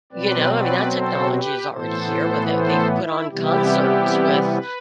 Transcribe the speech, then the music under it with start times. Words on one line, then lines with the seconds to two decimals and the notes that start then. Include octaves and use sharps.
You know, I mean, that technology is already here, where they they've put on concerts with,
0.12 B2 F#3 C4 B4 D5
0.52 B4 D5
0.92 A4 C5
1.32 G4 B4
1.72 A2 E3 B3 A4 C5
2.52 A4 C5
2.91 E4
3.31 C3 E3 G3 B3 E4 G4
4.50 B4